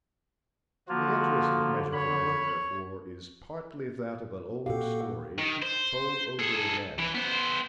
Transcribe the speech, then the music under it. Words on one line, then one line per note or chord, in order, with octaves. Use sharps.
The interest of Measure for Measure, therefore, is partly that of an old story told over again.
D3 F3 A#3 F4 F#4
C#5 B5
A#2 F#4 G4 A4 F5
D#3
C5
G#4 A4
E3
B3 C5